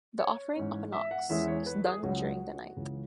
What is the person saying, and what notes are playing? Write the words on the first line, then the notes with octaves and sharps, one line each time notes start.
The offering of an ox is done during the night.
C#5
G#2 E3 C#4
E5
F#5
E2 E3 G#3 C#4 E5
C#5
B4
G#4
C#2 C#3 F#3 C#4 F#4
C#2 C#3 E3